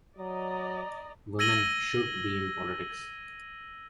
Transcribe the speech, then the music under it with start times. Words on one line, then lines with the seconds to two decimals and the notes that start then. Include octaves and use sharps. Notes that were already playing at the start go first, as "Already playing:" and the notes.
Women should be in politics.
0.18 F#3 D5 D#5 A#5
1.39 E6 G#6 A#6 D#7 F#7 G7